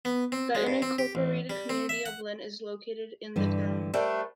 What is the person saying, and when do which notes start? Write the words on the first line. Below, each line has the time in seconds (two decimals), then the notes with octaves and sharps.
The unincorporated community of Lynn is located in the town.
0.05 B3
0.32 C4
0.55 G#3
0.67 G2
0.82 C4
0.99 G4
1.15 A1
1.50 G3
1.69 C4
1.89 E5
2.06 F#5
3.36 G2 D3 E3
3.94 G3 A3 D4 A#4 C5 G5